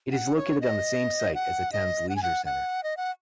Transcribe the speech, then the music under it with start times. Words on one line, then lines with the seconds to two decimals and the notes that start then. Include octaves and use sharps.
It is located on the same site as the town's leisure centre.
0.12 F#5
0.36 C#5
0.61 D#5
1.35 F#5
1.72 D#5
2.09 F#5
2.16 G#5
2.23 F#5
2.46 F#5
2.83 D#5
2.97 F#5